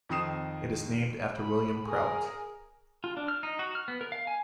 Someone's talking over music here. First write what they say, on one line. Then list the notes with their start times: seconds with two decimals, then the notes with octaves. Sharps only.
It is named after William Prout.
0.09 F2 D#3 C4 D#6 C7 E7
1.36 B5
1.85 G#4 A#4
3.04 F4
3.17 D4
3.28 F6
3.43 D#4
3.59 F#4
3.75 F6
3.88 B3
4.01 A#4
4.12 F5
4.27 G#5